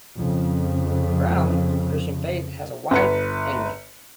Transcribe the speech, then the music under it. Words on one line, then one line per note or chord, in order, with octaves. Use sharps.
Brown, of Christian faith, has a wife, Ami.
F2 C#3
G1 B4 C#7